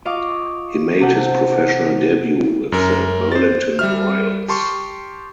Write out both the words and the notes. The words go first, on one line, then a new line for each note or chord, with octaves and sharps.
He made his professional debut with the Burlington Royals.
F4 D#5 F5 C#6 D6
C3 A4 F#5 E6 G6
F#2 A#4
C5 A6
G3 E5 F6
G4 A5 C6 C#6